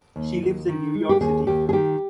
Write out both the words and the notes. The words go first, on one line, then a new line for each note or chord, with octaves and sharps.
She lives in New York City.
D#2
D#2
D#3
G#3
G4
D#2 G#4
D#2 G4
G#4
D#3 G4